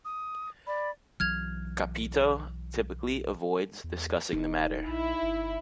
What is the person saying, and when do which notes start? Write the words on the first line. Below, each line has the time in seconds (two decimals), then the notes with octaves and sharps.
Capito typically avoids discussing the matter.
0.05 D#6
0.67 D5 B5
1.20 B1 E3 F#3 F6 G#6 F7
3.84 E2
4.33 E1 D#4
4.88 A#1 E4
5.22 G1